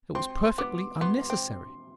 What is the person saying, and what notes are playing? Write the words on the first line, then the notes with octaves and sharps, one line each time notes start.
It was perfectly unnecessary.
C4 C6
B3 D6
B3 C6
C4